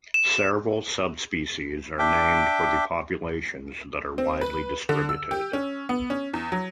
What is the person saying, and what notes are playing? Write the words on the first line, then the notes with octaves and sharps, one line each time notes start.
Several subspecies are named for the populations that are widely distributed.
E7
D4 E5 G5 D6
C4
B4
D3
E6
G4
C#4
B3
C#4
E2
F#3